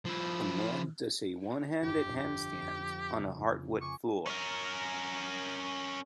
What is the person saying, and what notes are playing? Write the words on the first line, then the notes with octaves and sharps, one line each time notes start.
A man does a one handed handstand on a hardwood floor.
F3 E4
G1 F2 G4
G4
F2
C#3 A#3
G#5 C#6 D6
C#4 A#4